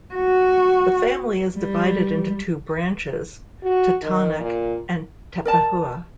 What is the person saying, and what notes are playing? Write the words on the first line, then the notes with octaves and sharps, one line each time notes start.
The family is divided into two branches, Totonac and Tepehua.
F#4
G3
F#4
D#3
A#2
A#4 D5 A5